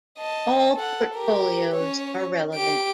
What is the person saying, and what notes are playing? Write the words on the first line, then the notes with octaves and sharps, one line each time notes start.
All Portfolios are relevant.
D#5 A5
A4 F#5
G4 A#4
C#4 C#5
G4 D7